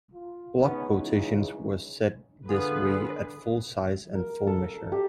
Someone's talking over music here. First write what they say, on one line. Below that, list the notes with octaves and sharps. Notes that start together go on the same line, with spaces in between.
Block quotations were set this way at full size and full measure.
F4
G#3 B3 C#4 D#4
C#2 C#3 E3
D3 B3 F4 G#4 B4
A#4
A4
G4